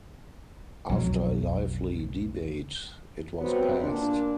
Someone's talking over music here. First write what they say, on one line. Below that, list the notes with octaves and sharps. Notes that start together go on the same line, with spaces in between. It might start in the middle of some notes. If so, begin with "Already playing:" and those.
After a lively debate, it was passed.
B1 F2 B2 F#3
C3 F#3 G3 B3 C4 F#4
A#2 D4